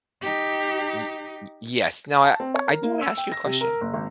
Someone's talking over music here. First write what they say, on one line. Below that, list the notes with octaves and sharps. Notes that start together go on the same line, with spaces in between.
Y y yes. Now I I do wanna ask you a question.
D#4 G4
A5
C4
C#5
A#4
A#3
E6
G5
A#6
C3
A#4
F#1
G#1